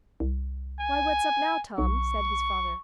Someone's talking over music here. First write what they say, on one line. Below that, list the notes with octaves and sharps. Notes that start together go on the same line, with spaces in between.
"Why, what's up now, Tom?" said his father.
C2
G#5
B1 C#6